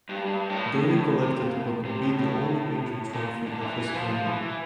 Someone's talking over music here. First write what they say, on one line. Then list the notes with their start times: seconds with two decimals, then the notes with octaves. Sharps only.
Daley collected what would be the only major trophy of his career.
0.09 G2
0.26 G2
0.50 A2
0.74 A2
0.89 A2
1.22 C3
1.38 A#2
1.53 A2
1.85 C3
2.02 A2
2.18 A2
3.13 A#2
3.46 D3
3.61 E3
3.78 E3
3.94 F3
4.10 F3
4.26 E3
4.42 E3